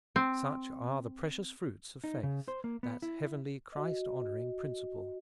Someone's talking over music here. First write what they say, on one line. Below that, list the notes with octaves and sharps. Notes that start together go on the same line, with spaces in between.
Such are the precious fruits of faith,--that heavenly, Christ-honoring principle.
C4
D#4
C#3
C5
A#3
B3
E4
F#4 D#5